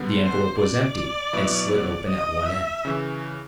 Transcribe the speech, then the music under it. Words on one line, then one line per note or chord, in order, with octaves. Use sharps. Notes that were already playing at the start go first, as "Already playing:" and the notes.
The envelope was empty, and slit open at one end.
Already playing: F#2 D3 G3 B3
C5
D5
B2 F#3 B3 E4
D#5
E5
C#3 E3